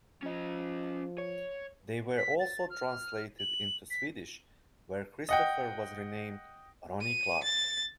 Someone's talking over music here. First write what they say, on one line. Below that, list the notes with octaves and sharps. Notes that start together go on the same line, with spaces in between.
They were also translated into Swedish - where Christopher was renamed "Ronnie Clark".
F3 C#4 D#5
C#5
B6
A6
F6
F#7
B6
D#5 F#5 G5
D#7
A6